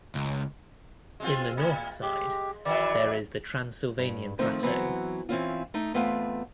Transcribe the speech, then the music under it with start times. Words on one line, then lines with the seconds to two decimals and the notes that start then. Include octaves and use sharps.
In the North side there is the Transylvanian Plateau.
0.15 C#2
1.20 G#3 C4 F4
1.57 A2
2.02 G#3 G4
2.65 D#3 E3 F#3 D5
3.99 G2
4.39 D#3 F3 A3 C4 D#4
4.63 E3 F#3 B3 C4
5.29 E3 C4 C#4 F4
5.74 A3 D#4
5.94 E2 A3 B3 C4 F4 G5